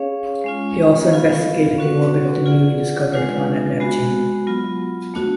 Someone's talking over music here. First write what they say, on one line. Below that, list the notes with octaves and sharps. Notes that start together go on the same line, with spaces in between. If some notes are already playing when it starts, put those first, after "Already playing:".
He also investigated the orbit of the newly discovered planet Neptune.
Already playing: C#4 G#4 C#5 F5
G#3 C#4 F4
B3 F4 A4 F5
C#4 F#4 B4 F#5
F4 G#4 D5 F#5
G#3 D4 F4 B4
G#3 B3 F#4
F#3 B3 F4
A3 D4 F#4